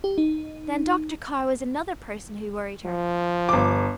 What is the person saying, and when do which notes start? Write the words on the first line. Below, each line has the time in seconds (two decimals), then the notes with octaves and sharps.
Then Dr. Carr was another person who worried her.
0.04 G4
0.18 D#4
2.85 F3
3.49 G1 D6